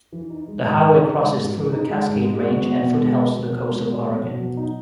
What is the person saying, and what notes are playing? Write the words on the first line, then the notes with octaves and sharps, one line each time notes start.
The highway crosses through the Cascade Range and foothills to the coast of Oregon.
E3
D#4
G#3
G#2
E3
D#4
G#3
G#2
E3
D#4
G#3
G#2
G#3
F#4
B3
B2
G#3
F#4
B3
B2
G#3
F#4
B3
B2
F#3
D#4